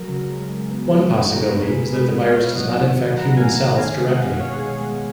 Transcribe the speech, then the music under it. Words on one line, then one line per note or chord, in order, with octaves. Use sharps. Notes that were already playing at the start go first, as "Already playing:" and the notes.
One possibility is that the virus does not infect human cells directly.
Already playing: F#3 A#4
C#3
G#3
G#3
B3
G#3
B3
G#3 A#4
B2
G#4 B4
B2
G#3 B4 D#5
B3
C#5 F5
B2
F#3 D#5 F#5
D#3
F#3
B3 F#5 A#5
F#3 F5 G#5
D#3 F#5 A#5
B2 F5 G#5
G#3
D#5 F#5
B2
B2 C#5 F5
B2 G#4
G#4
G#3
G#4